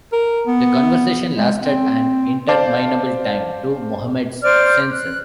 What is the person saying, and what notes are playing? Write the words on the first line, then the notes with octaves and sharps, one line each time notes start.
The conversation lasted an interminable time to Mohamed’s sense.
A#4
B3
G#3
C4
C5 D5 F5 A5 D6
C5 D5 F6
F#6